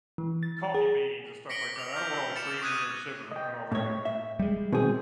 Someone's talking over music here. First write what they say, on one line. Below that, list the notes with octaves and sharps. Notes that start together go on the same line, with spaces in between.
coffee beans and stuff like that. I don't want all the creamer and sugar and and all that in there.
E3
A6
G#4
A#6 B6 C#7 D7 F#7 G7
D6 F7
F6 G6
E6
A6 C#7 E7
C#6 D#6 F#6 G#6 D#7
D#5 G5
A2 C#5
E5
G3 G#3
B2 D#3 C4 G#4 G5